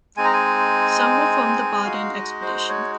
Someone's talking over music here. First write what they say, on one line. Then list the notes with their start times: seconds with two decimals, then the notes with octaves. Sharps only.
Some were from the Baudin expedition.
0.17 G#3 C4 D#4 G#5
0.25 A#5
0.34 G#5
1.85 G#3 D#4 F#4 F5
2.13 D#5
2.42 C5
2.69 C#5